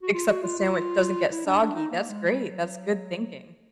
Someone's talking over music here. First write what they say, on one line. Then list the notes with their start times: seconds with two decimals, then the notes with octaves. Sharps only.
Except the sandwich doesn't get soggy, that's great, that's good thinking.
0.03 F#4
0.14 F4
0.28 F#4
0.43 F4
0.59 F4
1.32 E4
1.46 D4
1.61 D4
1.75 D#4
1.91 A#3
2.09 G#3
2.29 G3
2.49 F#3